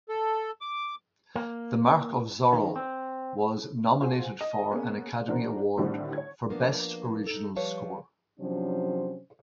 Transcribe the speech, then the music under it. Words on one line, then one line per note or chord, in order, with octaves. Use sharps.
"The Mark of Zorro" was nominated for an Academy Award for Best original score.
A4
D6
A#3
D#3
C4
F4 F#4 G#4 C5 F#5 G#5
D#5
A#3 B3 C#4 G#4
E3 C#4 D4 F#4 A#4 C5
A2 D3 D#3 G3 A3 C4
C#5 G#6
F3 A#3 B3 D4
D#4 A4
F3 G3 B4 C#5 F5 A5
C3 F3 F#3 C#4 D4 C5